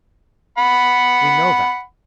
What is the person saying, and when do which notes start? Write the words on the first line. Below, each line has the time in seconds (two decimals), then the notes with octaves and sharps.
We know that.
0.58 F#5 B5